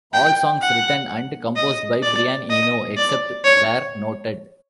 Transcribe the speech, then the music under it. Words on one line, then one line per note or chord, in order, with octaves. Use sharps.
All songs written and composed by Brian Eno, except where noted.
G5
F#5
D#5
D5
D#5
D5
C#5